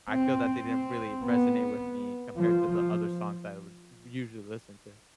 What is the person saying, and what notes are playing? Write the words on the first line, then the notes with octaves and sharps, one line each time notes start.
I feel that they didn't really resonate with me compared to the other songs that I would usually listen to.
C4
C4
B3
F3